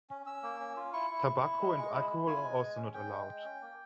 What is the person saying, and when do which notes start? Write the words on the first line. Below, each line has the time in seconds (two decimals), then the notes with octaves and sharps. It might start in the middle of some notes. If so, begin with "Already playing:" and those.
Tobacco and alcohol are also not allowed.
0.10 C#4
0.26 C#4 E6
0.43 A#3
0.60 C#4
0.77 F4
0.93 E4 C#6
1.10 E4
1.27 E4
1.43 E4
1.60 G#3
1.77 G#3
1.94 E4
2.10 E4
2.27 F4 G#5
2.44 G#3
2.61 G#3
2.77 C#4
2.94 C#4 G5
3.10 G#3
3.27 G#3
3.45 C#4
3.61 A#3